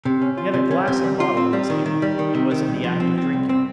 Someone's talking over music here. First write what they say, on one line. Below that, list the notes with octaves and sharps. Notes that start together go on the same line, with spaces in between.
He had a glass and bottle in his hand, and was in the act of drinking.
C3
C#4
F4
C3
C#4
C3
G3
F4
C4
G3
D#3
D#3
G3
D#3
C3
D#3
C2
F3
C4
C4
C2
C4